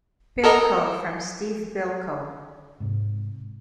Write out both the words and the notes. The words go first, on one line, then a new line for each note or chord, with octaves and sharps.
Bilko from Steve Bilko.
A4 A#4 D#5
G#2 C3